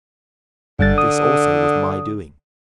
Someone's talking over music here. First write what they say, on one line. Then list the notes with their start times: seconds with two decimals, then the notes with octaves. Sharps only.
This also was my doing!
0.79 G1 G2 D3 A6
0.98 D#6